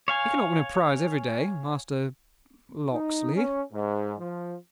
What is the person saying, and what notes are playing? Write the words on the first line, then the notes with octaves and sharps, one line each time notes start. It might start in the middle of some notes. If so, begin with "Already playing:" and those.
"You cannot win a prize every day. Master--Locksley."
C#5 F5 G#5
D#4
C#4
G#2
F3